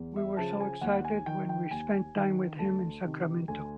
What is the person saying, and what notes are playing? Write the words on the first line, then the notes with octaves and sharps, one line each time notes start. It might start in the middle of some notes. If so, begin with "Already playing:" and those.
We were so excited when we spent time with him in Sacramento.
Already playing: E2
E5
C#3 F3 A5
G#5
D#2 F#5
G#5
D#3 G5
G5
D#2 G#5
D#3
D2 A5
C3 D#3
D2 G#5